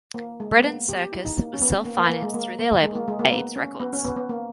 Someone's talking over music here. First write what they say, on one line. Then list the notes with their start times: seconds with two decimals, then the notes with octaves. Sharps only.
"Bread and Circus" was self-financed through their label, Abe's Records.
0.14 A#3
0.40 G#3
0.59 B3
0.64 A#3
0.89 G4
1.00 G4
1.12 E4
1.25 D#4
1.37 A#3
1.54 C#4
1.62 B3
1.85 A#3
1.97 A#3
2.09 A#3
2.22 G#3
2.34 A#3
2.59 A#3
2.83 G#3
2.95 A#3
3.08 G#3
3.19 A#3
3.32 B3
3.56 C#4
3.80 B3
3.93 C#4
4.04 B3
4.16 B3
4.29 A#3